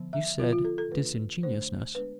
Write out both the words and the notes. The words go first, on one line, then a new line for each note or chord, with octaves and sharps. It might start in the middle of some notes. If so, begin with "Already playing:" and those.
You said disingenuousness.'
Already playing: D3 F3 B3
E5
D3 F3 B3 F4
F4
A4
A4
D3 A3 D4 B4
D3 A3 D4 C5
G#3 B3 D4 B4